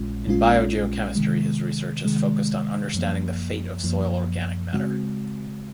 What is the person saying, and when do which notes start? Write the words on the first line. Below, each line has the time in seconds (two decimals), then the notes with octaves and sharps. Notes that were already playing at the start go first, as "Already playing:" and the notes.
In biogeochemistry his research has focused on understanding the fate of soil organic matter.
Already playing: A#1 A#2 G#3 C#4 F4
0.27 A#1 A#2 G#3 C#4 F4
1.15 C3 D#3 G#3
2.05 C3 D#3 G#3
2.94 F#2 F3 A#3
3.84 F#2 F3 A#3
4.73 C#3 G#3 C4 F#4